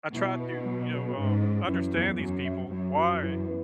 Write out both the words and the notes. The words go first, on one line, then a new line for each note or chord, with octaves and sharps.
I try to, you know, um, understand these people. Why?
B2 E4
B4
F#3
B4
G#2 C#4
C#4
F#2 E3
E2
F#2 F#3
E5
F#2 F#3
F#4
E3
B3